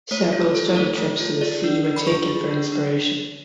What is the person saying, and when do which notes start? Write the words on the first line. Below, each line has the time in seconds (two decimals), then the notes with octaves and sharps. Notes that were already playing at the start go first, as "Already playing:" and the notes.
Several study trips to the sea were taken for inspiration.
0.11 A3 C#5
0.33 F4
0.55 A4
0.76 A3 C#5
0.98 A3
1.20 F4
1.41 G#4 D5
1.64 D4
1.85 D4
1.96 B5
2.07 F4 C#6
2.29 G#4
2.51 D4
2.72 D4